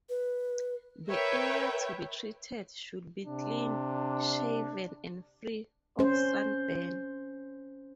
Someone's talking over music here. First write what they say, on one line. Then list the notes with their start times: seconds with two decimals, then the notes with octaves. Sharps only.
The area to be treated should be clean shaven and free of sunburn.
0.09 B4
1.10 A#4 B4 C#5 E5 G5
3.25 C3 D4
5.99 C#4 C5